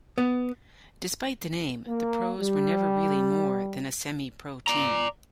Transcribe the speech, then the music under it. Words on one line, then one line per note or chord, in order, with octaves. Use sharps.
Despite the name, the Pros were never really more than a semi-pro team.
B3
A#3
G3
D5 A#5